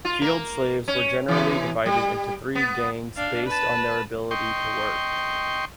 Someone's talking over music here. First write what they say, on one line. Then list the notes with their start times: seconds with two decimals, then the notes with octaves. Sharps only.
Field slaves were generally divided into three gangs based on their ability to work.
0.05 F4
0.22 A#3 A#4
0.88 C#4
1.28 B2 E3
1.86 G3
2.55 B3
3.16 D4 F5
3.46 B4 A5
4.31 D#5 G5 C6 C#6